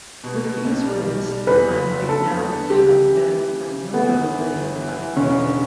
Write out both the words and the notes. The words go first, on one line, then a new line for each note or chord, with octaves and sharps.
With these rooms I might now have been familiarly acquainted!
B2
B2
B1
G3
B1
G3
E2 B4
F#1
F#1
D3 A4
E2
D3
C#2 G4
C#3
E3
E3
C#3
C#3
E3 B3
G1
E3
G1
E3
E3
E1 C#4
D3